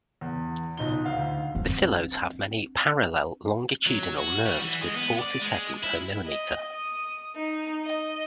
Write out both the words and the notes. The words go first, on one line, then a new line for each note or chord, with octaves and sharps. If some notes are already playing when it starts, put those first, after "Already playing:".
The phyllodes have many parallel longitudinal nerves with four to seven per millimetre.
E2
B1 D#4 F4 G7
D2 F5
C4 D4
F#3
F#4
G3
E3
G#3
B3
D5
G#3
E4
D#5
D#6
D#4
D#5